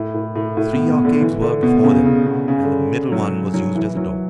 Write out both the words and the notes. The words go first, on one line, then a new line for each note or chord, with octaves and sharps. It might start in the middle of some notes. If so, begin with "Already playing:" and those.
Three arcades were before them, and the middle one was used as a door.
Already playing: A2
A2
A2
A2
B2
B2
D3
E3
D3
B2
C#3
C#3
B2
C#3
D3
F#3
F#3
E3
F#3